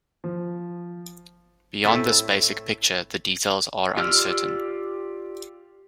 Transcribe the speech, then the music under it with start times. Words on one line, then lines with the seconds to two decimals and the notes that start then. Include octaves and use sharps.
Beyond this basic picture the details are uncertain.
0.24 F3
1.84 A2 A3 C4 E4 A4 E5
3.97 F4 G4 D5 E6 F6